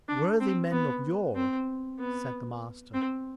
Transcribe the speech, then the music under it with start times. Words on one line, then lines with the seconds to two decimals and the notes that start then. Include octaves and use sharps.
Worthy men of yore, said the Master.
0.08 D4
0.40 C4
0.71 B3
1.35 C4
1.99 B3
2.93 C4